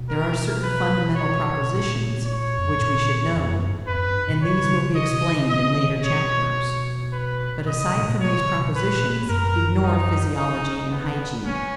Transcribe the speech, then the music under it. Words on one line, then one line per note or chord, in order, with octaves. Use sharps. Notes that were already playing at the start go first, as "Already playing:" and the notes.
There are certain fundamental propositions which we should know; and these will be explained in later chapters, but aside from these propositions, ignore physiology and hygiene.
Already playing: B2
A#4
B4
C#5
B2
A#2
C#5
F2
F#2
G#2
A#2
F2
F#2
G#2
F2 B4
F#2
G#2
B2
C#3 C#5
C#3 D#5
B2
C#3
C#3
B2 D#5
C#3
D#3
C#3
B2 C#5
B4
B2 D#5
C#3
B2
G#2
A#2
B2 C#5
C#3
B2
A#2 B4
G#2
F#2 A#4
D#4
D#4
B3
C#4